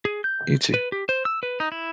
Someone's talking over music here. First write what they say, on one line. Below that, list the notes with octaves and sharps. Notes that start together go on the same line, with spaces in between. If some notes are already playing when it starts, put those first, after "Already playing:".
You too.
G#4
G6
B4
G4
C5
E6
B4
D#4
E4